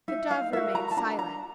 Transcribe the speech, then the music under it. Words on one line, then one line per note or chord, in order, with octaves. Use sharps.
The Dove remained silent.
D#4 E5
F5
F#4 A#4 E5
A#5
A5
D4 A#5
A#5